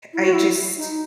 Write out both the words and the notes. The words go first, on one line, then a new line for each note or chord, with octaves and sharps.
I just
E4
F#4
E4
D#4